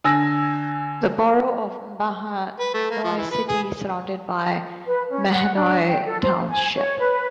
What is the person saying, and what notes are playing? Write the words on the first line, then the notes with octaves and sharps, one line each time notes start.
The borough of Mahanoy City is surrounded by Mahanoy Township.
D3 G#5 E6 A#6
B4
A3
A#3
F3
E3
B4
G#4
B4
C#4
F#5
D4
G5
A4
C5
G#5
C#5
B4